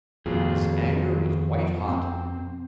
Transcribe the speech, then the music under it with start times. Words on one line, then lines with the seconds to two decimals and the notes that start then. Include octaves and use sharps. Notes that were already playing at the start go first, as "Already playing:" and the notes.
His anger was white hot.
0.26 F2 B2 D#3 F4 G#4
1.88 C4